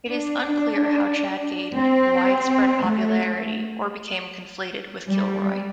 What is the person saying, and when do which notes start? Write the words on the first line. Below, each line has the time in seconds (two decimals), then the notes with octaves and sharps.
It is unclear how Chad gained widespread popularity or became conflated with Kilroy.
0.09 D4
1.76 C4
2.87 A3
5.08 G3